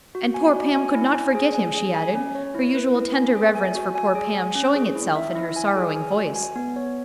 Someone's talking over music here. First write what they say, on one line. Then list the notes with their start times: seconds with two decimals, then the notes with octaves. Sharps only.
"And poor Pam could not forget him," she added, her usual tender reverence for poor Pam showing itself in her sorrowing voice.
0.15 F#4
0.34 G#5
0.54 F#4
0.74 G#5
0.94 E4
1.14 G#5
1.35 G#4
1.54 G#5
1.75 G#4
1.95 G#5
2.15 C#4
2.35 C#5
2.55 E4
2.75 B4
2.95 E4
3.15 G#5
3.35 G#4
3.55 G#5
3.75 F#4
3.95 G#5
4.15 G#4
4.35 G#5
4.55 C#4
4.76 G#4
4.95 E4
5.16 E5
5.35 E4
5.56 G#5
5.76 G#4
5.96 G#5
6.16 F#4
6.35 G#5
6.56 B3
6.76 C#5